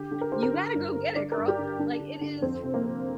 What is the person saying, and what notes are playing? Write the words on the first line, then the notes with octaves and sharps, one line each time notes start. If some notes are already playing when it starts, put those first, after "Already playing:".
you gotta go get it, girl, like, it is
Already playing: D3 G4
D3
A#4
D3 C5
A#4
D3
G2
D3
D3 D5
A#4
G2
G4
D3
D3 D4
D3
D3
F2 C4
C3
A#3
C3